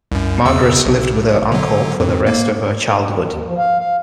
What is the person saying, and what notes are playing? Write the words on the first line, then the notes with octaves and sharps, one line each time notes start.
Margaret lived with her uncle for the rest of her childhood.
C2 F#2
E2 C#3 E6
B1
D3 F#3
F2
A#3
D#2
F3
F5
F5